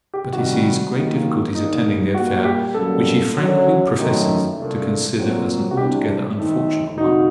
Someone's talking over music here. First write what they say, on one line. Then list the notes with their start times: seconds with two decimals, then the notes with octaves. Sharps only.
But he sees great difficulties attending the affair--which he frankly professes to consider as an altogether unfortunate one.
0.14 G4
0.33 C3 D#3 G3 F#4
0.94 D#2 D#3 F#3 A#3
1.54 D#2 D3 G3 A#3 D4 D#4
2.14 A#2 G3 A#3 F#4
2.45 G4
2.74 F#2 D3 G3 A#3 A4
3.36 F#2 D3 F#3
3.96 F#2 D#3 A3
4.56 C2 A#2 A3 D4
5.16 A#2 F#3 C4
5.71 F#4
5.77 C2 C3 G3 D4 G4
6.38 D#2 D#3 A3 C4 D#4
6.98 D2 C3 G3 A#3 D#4 F#4